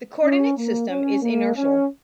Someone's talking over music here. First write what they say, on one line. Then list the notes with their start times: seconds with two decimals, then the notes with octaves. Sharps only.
The coordinate system is inertial.
0.23 C#4
0.57 A#3
0.89 C#4
1.22 A#3
1.55 C#4